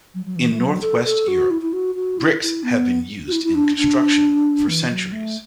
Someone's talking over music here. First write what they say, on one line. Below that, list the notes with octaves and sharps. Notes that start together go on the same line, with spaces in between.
In Northwest Europe, bricks have been used in construction for centuries.
F#3
F#3
E3
A3
F#3
A4
A4
F#4
E4
E4
F#4
F#4
E4
E4
B3
F#4
E4
E4
D4
D4
E3
F#3
A3